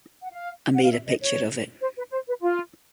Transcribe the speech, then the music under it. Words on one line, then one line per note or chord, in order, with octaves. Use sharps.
I made a picture of it.
F#5
F5
F#5
F5
E5
D#5
C#5
C5
B4
C5
B4
F4